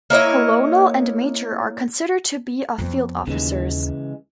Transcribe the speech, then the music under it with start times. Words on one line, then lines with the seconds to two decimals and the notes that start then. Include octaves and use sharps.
Colonel and Major are considered to be of Field Officers.
0.10 A#3 E4 C#5 D#5
2.78 F2 B3
3.27 D#2 C#3 E3 G#3